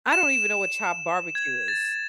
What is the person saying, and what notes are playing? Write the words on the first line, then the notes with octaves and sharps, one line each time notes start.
I don't even know what chopped barbecue is.
E7
G#6
A6